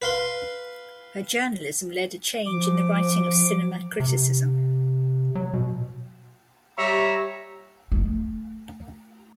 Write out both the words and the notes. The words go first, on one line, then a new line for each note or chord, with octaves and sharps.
Her journalism led a change in the writing of cinema criticism.
B4 F5 C6
F3 D6
C3
F#3
B2
G3 C#5 E5 A#5
A3